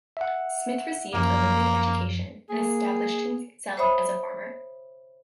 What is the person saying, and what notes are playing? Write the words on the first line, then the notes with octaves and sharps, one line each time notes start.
Smith received a limited education, and established himself as a farmer.
E5 F#5
F#2 F3 A#3
A#3 G#4
C5 C#5 E5 B5 D#6